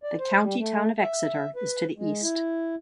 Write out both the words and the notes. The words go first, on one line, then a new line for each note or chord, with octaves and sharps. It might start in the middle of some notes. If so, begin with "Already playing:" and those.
The county town of Exeter is to the east.
D5
C5
G3
A3
E5
B4
G#3
E4